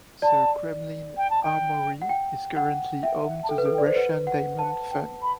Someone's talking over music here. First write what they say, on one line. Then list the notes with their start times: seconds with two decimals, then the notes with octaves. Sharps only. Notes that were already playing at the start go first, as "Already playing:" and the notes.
The Kremlin Armoury is currently home to the Russian Diamond Fund.
0.22 D5 A5
1.16 G5
1.30 A5
1.42 G5
2.02 F#5
2.09 G5
2.57 F#5
3.03 E5 G5
3.26 F#5
3.43 A5
3.49 A4 G5
3.58 B4
3.66 A4
3.73 G5
3.78 D5
3.86 C5
3.96 B4 F#5
4.27 F#5
4.59 F#5 A5
4.90 G5
5.21 B5